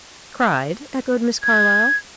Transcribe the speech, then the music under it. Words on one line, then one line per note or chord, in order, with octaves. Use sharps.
"Cried?" echoed Miss Carlyle.
G#6